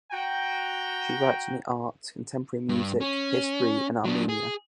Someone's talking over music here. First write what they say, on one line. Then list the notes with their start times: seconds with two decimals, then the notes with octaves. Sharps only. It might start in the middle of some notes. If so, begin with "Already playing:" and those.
She writes on the arts, contemporary music, history and Armenia.
0.12 F#4 G5 A#5
2.69 G2
3.01 C#4
4.05 F#3 D4
4.29 G#4